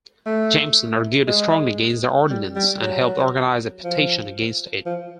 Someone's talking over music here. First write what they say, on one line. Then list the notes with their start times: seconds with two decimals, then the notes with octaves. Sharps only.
Jameson argued strongly against the ordinance, and helped organize a petition against it.
0.26 A3
1.27 G#3
2.30 G3
2.56 G3
2.81 F#3
3.84 F3
4.86 F3